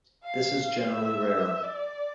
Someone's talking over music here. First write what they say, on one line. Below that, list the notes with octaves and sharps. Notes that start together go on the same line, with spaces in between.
This is generally rare.
F5
E5
D5